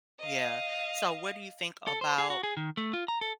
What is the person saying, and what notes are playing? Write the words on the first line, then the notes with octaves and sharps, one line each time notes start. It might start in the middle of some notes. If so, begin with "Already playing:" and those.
Yeah. So, what do you think about,
D#5 F5
A4
C5
G#4
F#4
G#4
D#3
A3
F4
A#5
A4